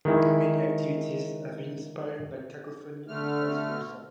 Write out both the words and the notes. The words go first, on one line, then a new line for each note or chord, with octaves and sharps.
Many activities have been inspired by Cacophony and vice versa.
D#3 G#3 E4
D3 A3 F6